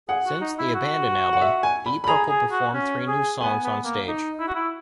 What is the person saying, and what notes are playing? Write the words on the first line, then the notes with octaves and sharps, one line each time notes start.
Since the "Abandon" album, Deep Purple performed three new songs onstage.
G#4 F#5
F#4
D#4
E4
F#4
F#5
E5
G#5
B5
B5
G#4 A#5
G#4
F#4
C#4
G#4
B3 G#5
B3
A#3
D#4
E4
F#4
E4